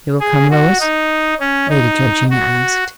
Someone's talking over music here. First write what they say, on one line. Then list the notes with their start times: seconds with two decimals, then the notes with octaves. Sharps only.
'You will come, Lois?' Lady Georgina asked.
0.20 G#4
0.50 F#4
0.80 D#4
1.40 C#4
1.70 D#4
2.30 F#4